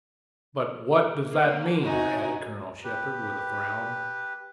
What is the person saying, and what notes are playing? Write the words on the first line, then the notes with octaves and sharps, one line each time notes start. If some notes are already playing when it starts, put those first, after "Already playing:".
"But what does that mean?" added Colonel Shepard, with a frown.
A#3
C3 D#4 F#4 G#5
G4 B4